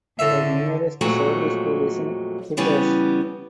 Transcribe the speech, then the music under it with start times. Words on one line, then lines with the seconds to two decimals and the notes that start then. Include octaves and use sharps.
The nearest secondary school is in Childers.
0.19 A2 D3 E5
1.01 F2 A#2 F#3 G#3 A3
2.57 C#3 E3 G3 B3 C#4